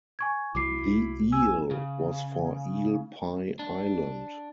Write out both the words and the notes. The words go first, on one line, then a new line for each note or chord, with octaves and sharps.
The eel was for Eel Pie Island.
G#5 C#6 G#6
C2 F#3 E4 D6 C7
G#5 E6
C#3
D4